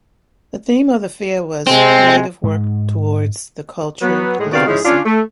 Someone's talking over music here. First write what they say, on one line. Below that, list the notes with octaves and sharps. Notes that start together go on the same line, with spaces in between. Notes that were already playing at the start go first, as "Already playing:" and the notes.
The theme of the fair was "Creative Work Towards the Culture Literacy".
C3 G#3 C4
G#2 G#3
F#3 B3
A2 G#3
C3 D#3 B3 F#4 D5 F5
G#2 F3 G#3 C#4 E4 G#4
C#4 D4 F4
A3